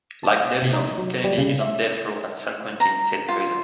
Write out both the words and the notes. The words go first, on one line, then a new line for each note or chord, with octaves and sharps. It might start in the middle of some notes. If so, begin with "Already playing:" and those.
Like Deleon, Kennedy is on death row at San Quentin State Prison.
A5
C3
D#4
F#3
G3
C#3
E5
A#5
F4